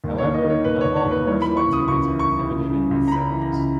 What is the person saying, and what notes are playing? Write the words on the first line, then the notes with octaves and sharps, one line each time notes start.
However, not all commercial activities are prohibited in these zones.
D#2
C#5
D#2
D#5
D#3
C#5
D#2 B4
C#5
D#2
C#5
D#2
B4
E3 C#5
B5
E3
C#6
C#2
D#6
C#2 C#6
E3
C#6
E3
C#2
C#3
C#2
A#5
C#3 B5
E3
A#5
C#2